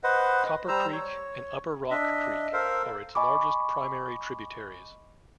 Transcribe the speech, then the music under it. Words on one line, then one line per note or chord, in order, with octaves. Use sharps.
Copper Creek and Upper Rock Creek are its largest primary tributaries.
B4 C5 D#5 F#5
G3 C5 A#5 E6
C#5
D4 D#5 E5
A4 A#4 C5 F5
D#5 G#5 B5 C#6 D6